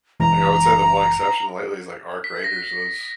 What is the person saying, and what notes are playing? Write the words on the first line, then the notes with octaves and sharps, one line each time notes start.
Like, I would say the one exception lately is, like, ARC Raiders was
F#1 E3 G#3 A#5
B6
A#6